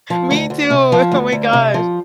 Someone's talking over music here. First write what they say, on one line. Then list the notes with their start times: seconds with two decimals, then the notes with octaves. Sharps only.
Me too, oh my gosh.
0.10 F3
0.31 D2
0.50 D2
0.70 C3
0.92 F3
1.11 D2
1.32 D2
1.53 C3
1.74 F3